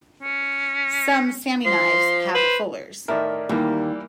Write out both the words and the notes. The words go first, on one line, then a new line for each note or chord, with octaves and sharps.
Some "Sami knives" have fullers.
C#4
F3 C6
B4 C5
A2 D#3 A#4 D5 E5
D#2 E3 G3 A#3